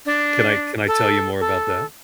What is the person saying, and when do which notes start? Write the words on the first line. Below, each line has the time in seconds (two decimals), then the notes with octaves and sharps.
Can I can I tell you more about that?
0.06 D4
0.87 A4
1.40 A4